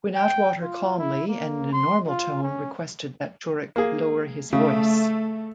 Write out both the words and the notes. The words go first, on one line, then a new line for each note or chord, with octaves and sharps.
When Atwater calmly and in a normal tone requested that Turek lower his voice.
G5
F4
E4
A#3
C6
F4
C#4
A#3 G#4
C#3 A3